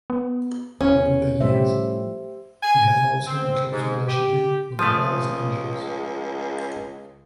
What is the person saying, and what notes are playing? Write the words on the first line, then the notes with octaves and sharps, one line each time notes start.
Over the years he had also a close relationship with the Hells Angels.
B3
E2 C#4
A2 F3 G3 G4 C5 E5
G#5
C4
G#2
G4
C#2 F3 A3 D#6